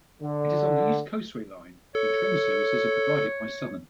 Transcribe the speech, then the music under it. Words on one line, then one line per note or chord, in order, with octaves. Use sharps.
It is on the East Coastway Line, and train services are provided by Southern.
D3
A4 C#5